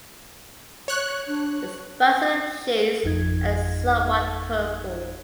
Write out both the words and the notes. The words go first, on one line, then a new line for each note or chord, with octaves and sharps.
Its basal sheaths are somewhat purple.
C#5 F#6
D4
G#1 F2 D#4 G#6